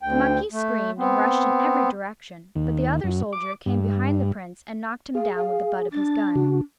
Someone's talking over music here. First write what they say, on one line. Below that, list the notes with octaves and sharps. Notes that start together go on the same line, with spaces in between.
The monkeys screamed and rushed in every direction, but the other soldier came behind the Prince and knocked him down with the butt of his gun.
D2 G5
A3
B3 C4
D#2
F#2
D6
G2
G#4 F5
F5
D4 A6
C#3 F#4